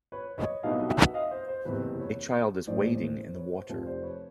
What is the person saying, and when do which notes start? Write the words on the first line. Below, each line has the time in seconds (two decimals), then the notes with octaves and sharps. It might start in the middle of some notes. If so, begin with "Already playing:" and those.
A child is wading in the water.
0.12 B4 C#5
0.38 C#5 D#5
0.63 C2 B2 F#3 B3 D#4 D#5 F5
0.89 E5 F#5
1.14 D#5 F5
1.31 C5
1.48 C5
1.65 F#1 E2 C3 B4
1.99 B4 C#5
2.67 A1 A2 E3 A3 C#4 C5 D5
2.93 C5
3.19 C5
3.35 B4 C#5
3.52 C5
3.69 F1 F2 C3 F3 C5
3.86 C5 D5
4.03 B4 C#5